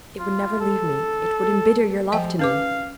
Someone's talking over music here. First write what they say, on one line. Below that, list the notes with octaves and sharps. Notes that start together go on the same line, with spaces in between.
It would never leave me; it would embitter your love to me.
F4
A4
F3 D#5 G5 G#5
C#4 B4 F5 D6